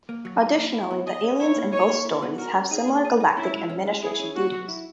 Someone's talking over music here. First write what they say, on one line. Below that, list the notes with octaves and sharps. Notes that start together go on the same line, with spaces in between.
Additionally, the aliens in both stories have similar galactic administration duties.
A#3
F#3
D#4
A#3
E4
B3
G#4 D#5
C#4
E4 C#5
A#3
D#4 C#5
A#3
E4
B3
F#4 A#4
C#4
D#4 G#4
A#3
G#4
D#4
C#4 E4
G#3
C#4
G#3
E4 G#4
C#4
A#3 F#4
F#3
E4